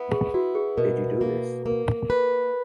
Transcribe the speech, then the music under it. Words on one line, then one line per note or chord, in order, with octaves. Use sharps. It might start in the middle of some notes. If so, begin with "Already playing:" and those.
Did you do this?
Already playing: B3 E4
G#4
E4 F#4
G#4
B2 A#4
A#3
A#3 A#4
B4